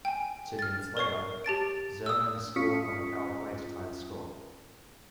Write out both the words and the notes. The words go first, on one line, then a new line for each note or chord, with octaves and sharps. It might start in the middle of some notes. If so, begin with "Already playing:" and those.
Two minutes later, Yzerman scored on the power-play to tie the score.
G5 G#5
F6 A6
A#4 C#5 C#6 C7
G4 A5 A6 D7
D#6 E6
C#4 F4 D#6 B6 C#7